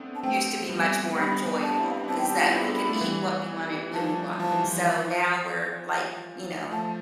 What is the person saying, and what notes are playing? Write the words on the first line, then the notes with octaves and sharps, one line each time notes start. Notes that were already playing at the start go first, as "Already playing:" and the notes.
used to be much more enjoyable is that we could eat what we wanted when we wanted. So, now we're, like, you know,
Already playing: A3 B3 C4 D4
A5
A3 C4 G5
G3 B3
G3 B3 B5
B3 D4
A5
C4 E4
D4
C4 E4 A5
G5
G4 A5
F4
E4
B3 D4 B5
A3
E3 G3
F3 A5
F3 A5
E3
F3
E3
F3
F3 A3 A5